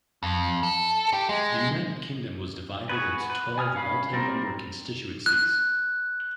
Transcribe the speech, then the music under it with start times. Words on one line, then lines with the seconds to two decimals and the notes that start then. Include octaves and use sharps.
The United Kingdom was divided into twelve multi-member constituencies.
0.23 F2
0.63 A4
1.13 G4
1.29 G#3
2.89 F#4 G#4 B4
3.30 B4
3.58 G#5 D#6 F6
3.75 C#4 F5 B5
4.13 G3 A#3 C4 A#4
5.26 F#6